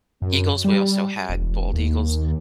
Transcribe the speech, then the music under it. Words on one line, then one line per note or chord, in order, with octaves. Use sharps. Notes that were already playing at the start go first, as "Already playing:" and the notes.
eagles, we also had bald eagles
F#2
G3
E1
D#2